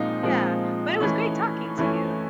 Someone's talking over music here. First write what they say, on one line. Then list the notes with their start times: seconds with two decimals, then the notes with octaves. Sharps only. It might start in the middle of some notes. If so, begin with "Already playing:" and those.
Yeah, but, it was great talking to you.
Already playing: A#2 F3 G#3 C4 D#4 F4
0.22 A#2 F3 G#3 C4
1.00 E3 A3 C#4
1.78 E3 A3 C#4 E4